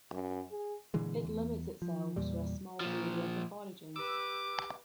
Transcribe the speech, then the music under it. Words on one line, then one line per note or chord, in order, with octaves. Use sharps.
It limits itself to a small area for foraging.
F#2
G#4
A#2 D3 E3 G#3
E2
F3
E2 A#2 G3
A#2 F3
G4 B4 D6 E6